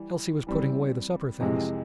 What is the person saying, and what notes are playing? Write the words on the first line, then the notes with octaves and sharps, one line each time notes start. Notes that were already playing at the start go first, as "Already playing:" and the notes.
Elsie was putting away the supper-things.
Already playing: E3 G3
E3 G3 C4
F2 C3 E3 G#3